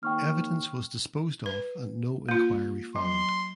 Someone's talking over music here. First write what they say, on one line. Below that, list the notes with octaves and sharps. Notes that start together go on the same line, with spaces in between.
Evidence was disposed of and no inquiry followed.
D#2 G5 C#6 F6
B4
A#3 F4
F#3 C6